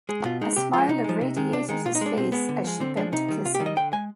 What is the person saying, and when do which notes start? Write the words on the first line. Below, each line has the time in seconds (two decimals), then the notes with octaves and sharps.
A smile irradiated his face as she bent to kiss him.
0.09 G#3 G#4
0.24 B2 F4
0.41 G#3 D#4
0.56 C3 G4
0.73 F3 G#3 F4
0.88 C3 D#4
1.04 F3 G#3
1.21 C3
1.36 D#3 G#3
1.53 C3 D4
1.69 D#3 G#3 D#4
1.85 B2 F4
1.95 D#4
2.01 G#3 D4
2.17 B2 C4
2.32 G#3 B3
2.49 D3
2.64 F3 G#3
2.80 D3 C4
2.97 F3 G#3 D4
3.12 C3 D#4
3.28 D#3 G3
3.45 C3 F4
3.55 G4
3.60 D#3 G3
3.66 D#5
3.76 D3 G5
3.93 G#3 G#5